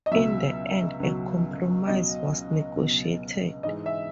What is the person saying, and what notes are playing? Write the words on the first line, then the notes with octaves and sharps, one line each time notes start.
In the end, a compromise was negotiated.
D#5
C#2 B2 F#3 E5
C#2 B2 F#3
C#2 B2 F#3 D#5
C#2 B2 F#3
G#2 E3 G#3 D#5
E5